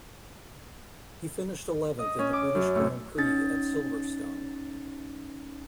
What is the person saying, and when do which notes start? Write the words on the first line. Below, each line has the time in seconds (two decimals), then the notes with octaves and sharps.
He finished eleventh in the British Grand Prix at Silverstone.
1.99 D#5
2.19 C#4
2.33 D6
2.55 F#2
2.75 A2
3.18 C#4 D#4 A6